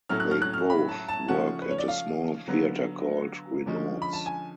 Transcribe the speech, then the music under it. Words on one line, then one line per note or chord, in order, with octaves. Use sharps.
They both work at a small theatre called "Renaud's".
A2 F#3 A3 C#4 F6
F#6
F6
F#6
F6
B5
A5
A5
C#3 F3 A3 C#4 F#5
B4
C#5
D5
F5
D3 F#3 B3
D3 F3 G#3 C#4
B5
A5
G#5